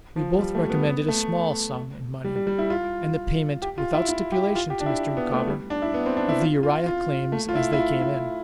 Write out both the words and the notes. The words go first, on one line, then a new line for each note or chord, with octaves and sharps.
We both recommended a small sum in money, and the payment, without stipulation to Mr. Micawber, of the Uriah claims as they came in.
F3
G3
A3
B3
B3
A3
G3
G3
G3
E4
F4
G4
F4
E4
E4
G4
F4
G4
D4
E4
B3
A3
G3
D4
E4
B3
C4
D4
E4
F4
F4
F4
A3
F4
E4
E4
F4
E4